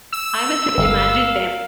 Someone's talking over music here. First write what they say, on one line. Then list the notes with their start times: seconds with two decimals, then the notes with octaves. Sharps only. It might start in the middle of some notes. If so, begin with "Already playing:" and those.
I must have imagined them.
0.13 E6
0.78 G1 A#4 F5